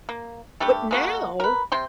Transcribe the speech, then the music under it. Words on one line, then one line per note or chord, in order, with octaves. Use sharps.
But now,
A#3
G3 A3 D4 G4
G#3 A#3 F#4
A#4 B4
C3 G5 C6